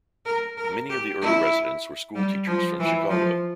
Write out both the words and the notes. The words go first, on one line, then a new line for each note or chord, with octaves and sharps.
Many of the early residents were schoolteachers from Chicago.
A#4
A#4
G4
E4
G3
F3
E3
F3